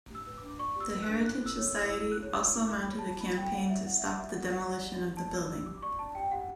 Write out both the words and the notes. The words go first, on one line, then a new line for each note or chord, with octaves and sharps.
The Heritage Society also mounted a campaign to stop the demolition of the building.
G4
E6
B4
D4 D6
D5 C#6
G4 E6
B4
F#6
D4
E4 F#6
A4
E6
C#5
E6
E4
E4 E6
A4
F#6
C#5
E6
E4
E4 D6
A4
B5
C#5
A5
E4
E4 B5
A4 G5
C#5 F#5
E4 E5
D5 F#5
E5
D5 F#5
G4 E5
G4 F#5
D5 F#5
D5
G4
G4
D5 A5
D5 E6
G4 E6
G4 D6
D5 C#6
D5 A5
G4 G5
G4 F#5